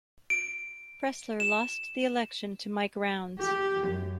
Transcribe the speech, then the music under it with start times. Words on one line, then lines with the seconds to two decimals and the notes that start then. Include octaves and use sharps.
Pressler lost the election to Mike Rounds.
0.30 D7
1.40 E7
3.40 G4
3.88 F#2